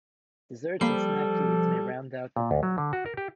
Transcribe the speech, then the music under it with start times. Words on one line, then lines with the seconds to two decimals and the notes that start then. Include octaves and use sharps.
Desserts and snack foods may round out the menu.
0.81 F3 G3 A#3 A4 B5 C7
2.36 A#2
2.51 D2
2.63 F#3
2.78 D3
2.93 F#4
3.06 A#4
3.17 G4